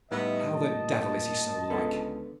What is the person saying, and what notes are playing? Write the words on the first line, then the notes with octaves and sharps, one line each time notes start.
How the devil is he so like?
A2 G3 B3 D#4 D#5 E5
A#2 A5
C#2 D3 B3 A4